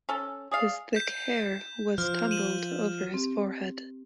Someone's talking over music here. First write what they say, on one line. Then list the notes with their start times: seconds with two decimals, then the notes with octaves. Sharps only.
His thick hair was tumbled over his forehead.
0.09 C#4 A4
0.51 G#4 D5 F5
0.93 G6 B6 E7
1.98 F3 F6
2.31 D#7 E7 F#7
3.14 C4 G4